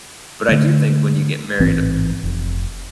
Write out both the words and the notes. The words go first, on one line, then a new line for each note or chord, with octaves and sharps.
but I do think when you get married,
D3 A3
A1 G#2 E3 C4
F1